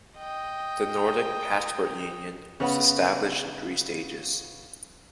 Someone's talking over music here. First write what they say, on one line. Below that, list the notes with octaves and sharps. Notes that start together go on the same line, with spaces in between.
The Nordic Passport Union was established in three stages.
D#5 G5
C#3 B3 F#5 B5